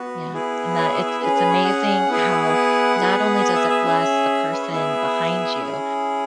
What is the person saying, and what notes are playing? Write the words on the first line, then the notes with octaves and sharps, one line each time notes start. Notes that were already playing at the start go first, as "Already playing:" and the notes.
Yeah, and that it's it's amazing how not only does it bless the person behind you,
Already playing: B3 F#4
B3 E4 G#4
C#5
E5
E5
C#4 G#4 B4
B4
C#5
F#5
B3 E4 G#4
F#5
B3 G#4
F#5
E5
E5
C#4 G#4
B4
C#5
B3 E4 G#4 E5
C#4 E4 G#4